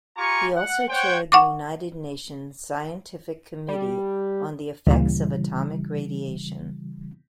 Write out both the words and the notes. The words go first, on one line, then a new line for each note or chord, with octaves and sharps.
He also chaired the United Nations Scientific Committee on the Effects of Atomic Radiation.
F4 G4 G#5 A#5 C#6
F#5
C5 C#5 F#5 G5
F#5 C#6 D6
G3
D2 A#2 C#3 E3 G3